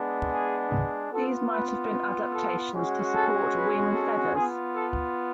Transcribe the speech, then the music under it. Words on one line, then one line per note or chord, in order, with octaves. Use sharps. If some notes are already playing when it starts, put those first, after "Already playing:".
These might have been adaptations to support wing feathers.
Already playing: G#3 B3 D4
G#4
B3 F4 A4
B4
A4
G#3 C#4 F#4
A4
B4
A4
B3 F4 G#4
A4